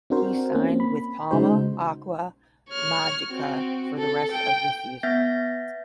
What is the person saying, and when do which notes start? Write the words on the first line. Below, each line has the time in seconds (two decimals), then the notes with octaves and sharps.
He signed with Palma Aqua Magica for the rest of the season.
0.10 C4 D4 F#4 A#4 C5
0.55 A#3 C4 C#4
0.80 B5
1.31 C#3 G#3 D#4 F#4 C5
2.69 C#5 F6
3.30 C4 F#4
3.98 A4
4.32 G5
5.03 B3 E5 G6 A6 A#6